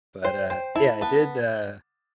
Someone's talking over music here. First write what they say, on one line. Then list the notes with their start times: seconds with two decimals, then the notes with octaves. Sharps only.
But, uh, yeah, I did, uh
0.25 C5 G5
0.50 C5 G5
0.75 E4 A5
1.01 B3 A5